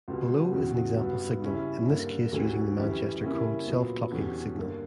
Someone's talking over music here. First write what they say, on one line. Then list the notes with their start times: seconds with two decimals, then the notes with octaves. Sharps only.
Below is an example signal, in this case using the Manchester code self-clocking signal.
0.08 C#2 B2 G3 B3 F#4
0.52 E2 C#3 F#3 C#4 F#4
0.97 G2 F#3 B3 F#4
1.42 C#3 G3 C#4 E4
1.87 G2 D3 A#3
2.32 D2 D3 F#3 C#4 G4
2.76 F#2 E3 G3 C#4 G4
3.22 C#3 G3 A#3 C#4 E4
3.67 A#2 F#3 B3
4.12 E2 D3 F#3 C#4 G4
4.57 G2 D3 A#3